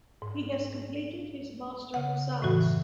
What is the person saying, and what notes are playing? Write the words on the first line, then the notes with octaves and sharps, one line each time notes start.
He has completed his Master of Science.
G#2
C#3 F#5
F#2 A2 C#3 E3 F#4